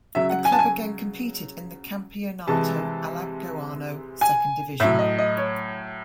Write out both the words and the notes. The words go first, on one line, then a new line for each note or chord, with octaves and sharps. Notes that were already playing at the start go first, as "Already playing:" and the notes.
The club again competed in the Campeonato Alagoano Second Division.
C#3 F#3 E5
F#5
G#5
A5
G#5
C3 E3 G#3 A5
G#5
A2 F#3 E5
D#5
D#5
C#5